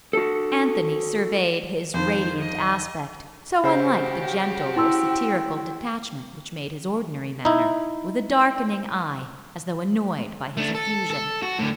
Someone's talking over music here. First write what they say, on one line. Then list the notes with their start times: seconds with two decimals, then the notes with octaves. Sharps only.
Anthony surveyed his radiant aspect--so unlike the gentle or satirical detachment which made his ordinary manner--with a darkening eye, as though annoyed by his effusion.
0.13 F#4 A4
1.94 F2 D#3 C5
2.39 D#5
3.64 C#3 F#4 G4 C5
4.76 E4 G5 C6 E6
7.45 D#4 E4
10.57 A3 D4
10.75 A4
11.10 A4
11.42 F#4
11.59 A2 D3